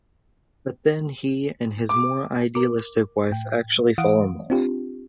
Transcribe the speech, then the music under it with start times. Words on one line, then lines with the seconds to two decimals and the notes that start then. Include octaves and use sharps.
But then he and his more idealistic wife actually fall in love.
1.89 D6
2.55 A#4 D6
3.31 A2 G5
3.98 E3 F5 F#5 D#6 D7
4.50 C4 D4 F4 G4